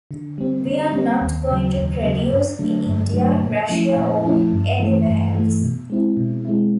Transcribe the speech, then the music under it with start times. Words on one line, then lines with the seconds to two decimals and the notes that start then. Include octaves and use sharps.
We're not going to produce in India, Russia, or anywhere else.
0.11 D3
0.38 G3 C4
0.65 D3
0.93 G3 C4
1.21 D#2
1.49 C#3 F#3
1.76 D#2
2.03 C#3 F#3
2.31 G2
2.59 D3 F#3 A3 D4
2.86 G2
3.14 D3 F#3 A3 D4
3.41 A#2
3.69 F3 A3 C#4 E4
3.97 A#2
4.25 F3 A3 C#4 E4
4.52 G2
4.80 E3 A3
5.07 G2
5.35 E3 A3
5.62 B2
5.90 G#3 C4 E4
6.17 B2
6.45 G#3 C4 E4